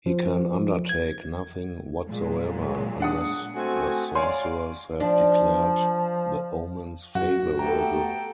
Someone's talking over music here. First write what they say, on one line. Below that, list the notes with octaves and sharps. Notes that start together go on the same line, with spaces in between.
He can undertake nothing whatsoever unless the sorcerers have declared the omens favorable.
F3
G#6
A#2 F#3 G#3
D4 F#5 D#6
A3 C4 F#4 G#5
C#5 D5 F5 G#5 C6
F3 D4
F#2 F#4
A3 B3 G4 A4 G5 A#5